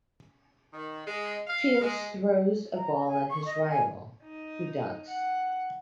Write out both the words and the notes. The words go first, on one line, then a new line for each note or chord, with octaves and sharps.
Fields throws a ball at his rival, who ducks.
D#3
G#3
F5
G#3
A#5
G#5
C#6
D#5
G#5
D#4
F#5